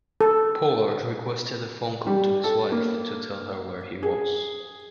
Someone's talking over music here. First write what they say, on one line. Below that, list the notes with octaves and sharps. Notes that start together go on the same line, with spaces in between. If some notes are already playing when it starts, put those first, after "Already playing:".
Pollard requested a phone call to his wife to tell her where he was.
A4
G3
A4
A#3
G#4